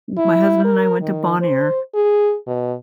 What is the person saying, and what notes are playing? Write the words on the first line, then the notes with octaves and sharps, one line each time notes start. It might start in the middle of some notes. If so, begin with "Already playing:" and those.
my husband and I went to Bonaire,
E4
A#4
D#3
C5
G#4
B2